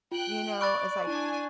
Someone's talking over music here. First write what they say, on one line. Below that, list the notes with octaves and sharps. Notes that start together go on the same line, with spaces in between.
you know, it's like
F4 G5 F#6 F#7
D5 B5 C#6 F#6 A6 D7
D4 E4 G#5